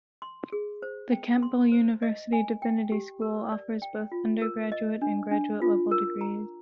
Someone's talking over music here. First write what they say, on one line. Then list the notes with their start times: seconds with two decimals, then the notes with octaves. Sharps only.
The Campbell University Divinity school offers both undergraduate and graduate level degrees.
0.22 C6
0.52 G#4
0.82 C5
1.12 G5
1.43 C6
1.72 C5
2.02 D#5
2.33 G#5
2.62 G5
2.92 G4
3.22 A#4
3.52 D5
3.82 G5
4.12 F4
4.42 A#4
4.72 D#5
5.02 D4
5.31 D4
5.62 F4
5.91 A#4
6.21 A#5